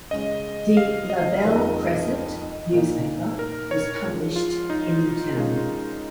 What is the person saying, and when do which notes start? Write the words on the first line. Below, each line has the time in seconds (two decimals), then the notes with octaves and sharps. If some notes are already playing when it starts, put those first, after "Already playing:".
The "La Belle Cresset" newspaper was published in the town.
0.11 C#3 G#3 C#4 D#5
0.77 F5
1.10 D#5
1.42 F2 D#3 G#3 F4 D#5
2.73 A#2 A#3 D#4
3.39 A#4
3.71 C#5
4.04 G#2 F3 G#3
4.36 F4
4.70 D#4
5.34 D#3 G#3 C#4 F4